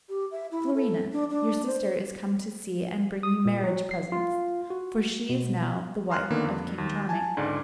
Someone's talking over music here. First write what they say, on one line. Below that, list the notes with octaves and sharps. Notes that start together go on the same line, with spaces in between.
"Florina, your sister is come to see and bring you marriage presents, for she is now the wife of King Charming."
G4
E5
E4
A4
D4
D4
C5
D#6
A#2
F#3
C7
F4
F#4
B2
A#5 C6 F6 F#6
D3 D#3 A#3 B3
F2
D#2
G#5 A5
C#2 G#2 D3 D5